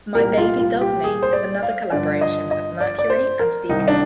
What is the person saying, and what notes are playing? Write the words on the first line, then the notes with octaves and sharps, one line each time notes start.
"My Baby Does Me" is another collaboration of Mercury and Deacon.
C2 A#2 G3 A#4
F4
F4
G4
G#4
C5
D5
F5
G2 D3 F3 D5
D#5
D#5
D5
D5
C5
A#4
C2 C3 D#3 G3 D#4
D4